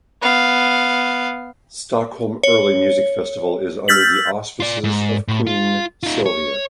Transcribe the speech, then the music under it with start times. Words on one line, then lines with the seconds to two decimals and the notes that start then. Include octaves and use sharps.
Stockholm Early Music Festival is under the auspices of Queen Silvia.
0.22 B3 F5
2.43 C#5
3.88 E6 F6 G6 A6 B6 F#7
4.60 F4 D5
4.84 G#2
5.28 A2
5.47 F4
6.03 D#4 F4
6.26 C#5